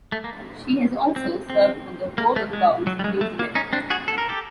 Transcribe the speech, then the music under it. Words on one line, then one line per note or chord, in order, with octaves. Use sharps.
She has also served on the board of Bowls New Zealand.
A3
A#3
C4
C4
A#3
A3
G#3
F#3
G3
G#3
A3
A#3
C#4 D#4
C4 D4
F#4 G#4
A4
A#4
G4 A4